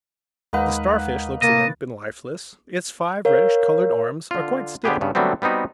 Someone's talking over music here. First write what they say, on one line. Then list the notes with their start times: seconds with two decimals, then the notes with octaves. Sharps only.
The Starfish looks limp and lifeless, its five reddish-coloured "arms" are quite still.
0.53 D#2 G#3 A#3 D#4 B4 F#5
1.42 C3 A#3 D#5 A6
3.25 A#4 C#5 F5
4.31 D3 F4
4.84 D3 B3 F4 G4 G#4 B4
5.01 G2 C#3 B3
5.15 D3 F#3 G3 A3 B3 C4
5.42 G3 B3 C4 D#4 F#4